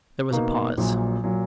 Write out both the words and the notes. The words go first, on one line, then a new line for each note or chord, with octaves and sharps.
There was a pause.
B2 A#3 D#4
A#1 A#2 F#3
A#2 F#3